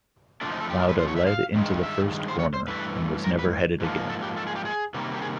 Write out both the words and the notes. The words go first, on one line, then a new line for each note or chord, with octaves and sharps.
Lauda led into the first corner, and was never headed again.
F2 D3 F3 A3 D4
D#4
A4
G4
A#4
B4
C5
C#5
E5
F5
G2 D#3 G#3
E5
C5
C#5
C5
G2 E3 A3 B4
A#4
B4
G#2 F3 A#3
A4
G4
A4
G#4
G4
G#4
C3 D#3 G3 A#3
G4
G#4